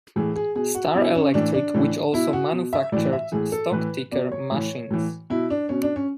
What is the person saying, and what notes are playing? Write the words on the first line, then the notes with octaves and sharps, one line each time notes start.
Star Electric, which also manufactured stock ticker machines.
A2 E3 G#4
G#4
B2 G#4
F#4
B2 E4
C#4
A2 E3 D4
D4
A2 E3
B2 E4
F#4
B2
E5
A2 E3 D5
E5
A2 E3 G#4
A4
A2 E3 B4
B2 D5
C#5
A2 E3
A2 E3
B2 E4
D4
B2 C#4
D4
C#4